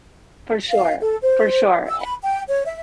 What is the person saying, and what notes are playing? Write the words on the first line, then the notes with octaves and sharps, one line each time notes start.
For sure, for sure.
F5
A4
C5
E6
B5
G5
C#5
E5